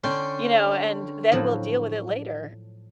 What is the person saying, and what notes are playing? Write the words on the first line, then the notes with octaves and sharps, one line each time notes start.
you know, and then we'll deal with it later.
D3 C#4 G5 C6
A2 F3 F#3